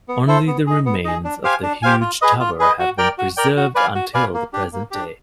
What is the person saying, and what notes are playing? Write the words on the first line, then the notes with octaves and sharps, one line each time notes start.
Only the remains of the huge tower have been preserved until the present day.
B3
E4 A4 C5
B3
D#4 G#4
B3
D#4 G#4
D4
G4 C5 F5 G#5
D4
G4 C5 F5 G#5
F4
G#4 B4 D#5
F4
G#4 B4 D#5
F#4
A#4 D5 G5
F#4
A#4 D5 G5
F#4
B4 D5 F5 G#5
F#4
B4 D5 F5 G#5
A#3
D4 G4
A#3
D4 G4